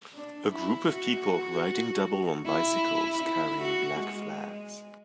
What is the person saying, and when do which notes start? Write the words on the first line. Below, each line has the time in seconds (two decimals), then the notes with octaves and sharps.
A group of people riding double on bicycles carrying black flags.
0.14 D4
0.53 E4
0.92 F#4
2.46 E4
3.23 E4
3.61 F#4
4.00 G#3